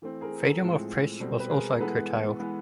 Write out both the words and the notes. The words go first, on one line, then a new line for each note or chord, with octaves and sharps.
Freedom of press was also curtailed.
E3 A3 C4
G#4 A#4
A4
A2 F3 G#3 C4
B2 G3 C4 A4
B4
G#4 A#4
E3 G#3 B3 A4 B4
E3 G#3 B3